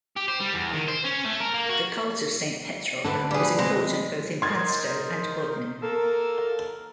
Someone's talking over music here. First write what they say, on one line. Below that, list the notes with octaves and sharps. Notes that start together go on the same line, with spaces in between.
The cult of Saint Petroc was important both in Padstow and Bodmin.
G4
C5
G3
E2
D#3
C5
C#4
A3
A#4
A#3
F#4
D2 D3 D4 B4
G3 G#4 B4
G#3 C4
D#4 A#4 C5 C6 G#6 A6
A#3 A4 A#4